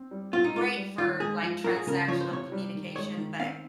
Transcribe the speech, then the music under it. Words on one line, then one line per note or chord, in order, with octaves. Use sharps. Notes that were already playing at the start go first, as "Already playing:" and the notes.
great for, like, transactional communication, but,
Already playing: C4
G3
C4 F4
D#4
G#3 F4
G3
D#3 F4
G#3 G#4
F3
F3 A#4
G#4
C#3 A#4
F3 C#5
C5
C3 C#5
G3
D#3
G#3 C#5
D#3
C4 F5